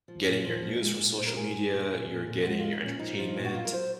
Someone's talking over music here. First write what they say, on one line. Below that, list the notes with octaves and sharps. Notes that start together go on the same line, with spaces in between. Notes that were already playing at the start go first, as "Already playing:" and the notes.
getting your news from social media, you're getting your entertainment.
F3
A#2
F3
A#2
G#3
A#2
A#2 C5
A#4
G#3 G#4
G#3
A#2
A#2
A#2
A#2
G#3 F#4
G#3 F4
D#4
A#2 C#4
F3 D#4
F3
A#2
F#4
F#3 F4
A#4
F#3 C5